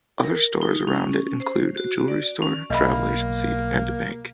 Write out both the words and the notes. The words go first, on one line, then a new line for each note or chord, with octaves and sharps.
Other stores around it include a jewelry store, travel agency and a bank.
A#4
D#4
C#4
C5
F#4
D5
C#4
B1 A#3 D#5 E5 B5